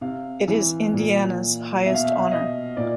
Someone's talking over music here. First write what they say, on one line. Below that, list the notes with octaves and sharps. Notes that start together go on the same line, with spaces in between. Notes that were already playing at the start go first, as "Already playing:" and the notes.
It is Indiana's highest honor.
C3 F5
E3
A#2
B2 E5
F5
E5
D#5
A#2 D5